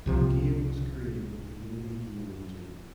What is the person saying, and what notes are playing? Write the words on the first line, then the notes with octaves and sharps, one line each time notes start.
The game was created with the Unity game engine.
C2 C3 F3